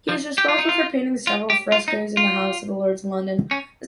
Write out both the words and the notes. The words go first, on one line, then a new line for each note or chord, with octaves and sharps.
He was responsible for painting several frescos in the House of Lords in London.
F3
G4
F4
D#4
F4
F4
G4
F4
D#4
F4
C#4